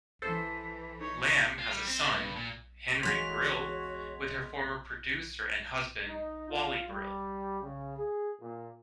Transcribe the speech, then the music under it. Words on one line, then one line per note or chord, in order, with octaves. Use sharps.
Lamb has a son, Henry Brill, with her former producer and husband, Wally Brill.
E3 A4 C5
D#4 C#5
F4
G3
C4
G2
A#2
E2 G#3 F#4 C#5 F5 C6 B6 F7
D#4
F4
G3
C#3
G#4
A#2